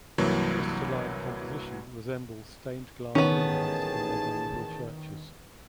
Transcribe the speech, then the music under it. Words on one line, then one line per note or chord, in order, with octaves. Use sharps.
The crystalline composition resembles stained glass windows in medieval churches.
C2 G2 E3 F#3 A#3
A1 D#3 B3 C#4 G#4 A5